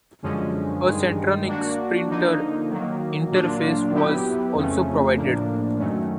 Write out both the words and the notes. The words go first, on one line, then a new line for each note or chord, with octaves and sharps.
A Centronics printer interface was also provided.
F#2 D3 F3 G#3 C#4
G2 D#3 G#3
A#3 D4 F#4
D3 F3 A#3 D#4
D#3 F#3 A#3
A#2 F#3 A#3 D4 F4
F#3 B3 E4 G4 B4
F2 C#3 F3 A3 C#4
A2 F3 A#3 D4
F#2 D#3 F#3 A3 C#4